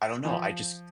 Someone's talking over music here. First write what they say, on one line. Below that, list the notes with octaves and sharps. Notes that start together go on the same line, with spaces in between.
I don't know, I just
E3
F3